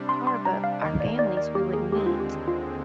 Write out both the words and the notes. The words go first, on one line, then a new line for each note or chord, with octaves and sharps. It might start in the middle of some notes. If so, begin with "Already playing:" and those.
car, but our families, we would meet
Already playing: C3 G3 D4
C6
C6
A#5
F5
D#2 D#3 A#3 D#5
D5
D5
D5
G4
G#4
D#2 D3 G#3 C4 G4
F4
G4
F4